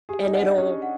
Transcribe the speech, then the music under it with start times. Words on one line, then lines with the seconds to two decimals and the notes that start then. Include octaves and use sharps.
and it'll
0.09 G4 G#4
0.25 D#4
0.33 C5 D#5 F#5
0.41 D4
0.58 C#4 G4
0.82 F#5